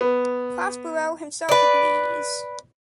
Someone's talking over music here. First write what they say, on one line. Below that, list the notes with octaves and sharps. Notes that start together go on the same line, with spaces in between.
Prospero himself agrees.
B3
B4 D5